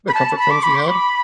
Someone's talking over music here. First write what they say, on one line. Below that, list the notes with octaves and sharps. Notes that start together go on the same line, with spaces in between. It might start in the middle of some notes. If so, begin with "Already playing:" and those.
the comfort films we had.
B5
A5
B5
D6
B5
D6
B5